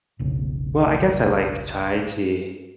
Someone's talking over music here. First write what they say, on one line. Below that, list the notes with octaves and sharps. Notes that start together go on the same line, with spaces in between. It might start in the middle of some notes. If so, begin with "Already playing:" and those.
Well, I guess I like chai tea.
F1 B1 C#3